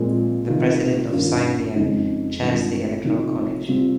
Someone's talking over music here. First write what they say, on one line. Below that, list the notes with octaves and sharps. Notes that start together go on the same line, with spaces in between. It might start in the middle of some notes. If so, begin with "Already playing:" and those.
The president of the Saeima chairs the electoral college.
Already playing: A#2 F3 G#3 C4
C3 D#3 A#3 F4
G2 D#3 A#3 C#4 F4
F2 C#3 G#3 D#4
G2 D#3 G#3 C4 F4
C3 F3 A#3 D#4
C3 G3 C4 F4